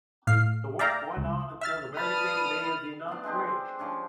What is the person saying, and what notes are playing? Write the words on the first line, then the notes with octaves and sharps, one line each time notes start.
The work went on until the very same day of the inauguration.
A2 F5 C7
D5 E5 F5 G5 A#5
C#2
E5 F6 A6
B4 D5 A5 B5 D#6 F6 A6
B3 D4
G#3 C4 D4 G4
F3 C#4 D4